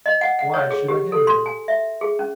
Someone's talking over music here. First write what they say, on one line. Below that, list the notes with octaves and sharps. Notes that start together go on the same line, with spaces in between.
Why should I hinder him?
D#5
F#5
F#5
C#5
G#4
G4
A4
C6
G#5
E5
G#4
C#4